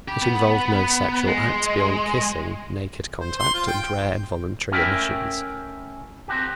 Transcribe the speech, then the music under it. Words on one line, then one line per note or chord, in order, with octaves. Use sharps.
It involved no sexual acts beyond kissing, naked contact, and rare involuntary emissions.
G4 B5
B3
G#3 C6
C5
C6
F4
G5
A3 C#4 E4 A#4 E5 G5
C4 F#4 G4